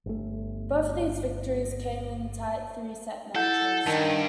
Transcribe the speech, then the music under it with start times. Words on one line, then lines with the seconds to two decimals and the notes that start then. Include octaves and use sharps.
Both of these victories came in tight three-set matches.
0.06 G1 A3
3.35 E4 A4 F#5 G6
3.87 G2 D#3 A5